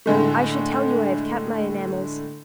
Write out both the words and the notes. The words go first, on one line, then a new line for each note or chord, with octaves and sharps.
I should tell you I have kept my enamels.
A2 D3 G#3 A3